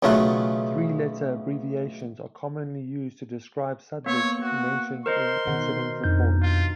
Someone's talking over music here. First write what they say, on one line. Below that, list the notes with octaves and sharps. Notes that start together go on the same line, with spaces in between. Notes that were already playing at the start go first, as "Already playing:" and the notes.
Three letter abbreviations are commonly used to describe subjects mentioned in incident reports.
B1 C#3 F#3 A3 F4 F#5
A#3 B3 C#5
F#4
A#4 C5 D#5 C6
B2 D#3 F#5
F2 B2 D4 D#4 G6
F4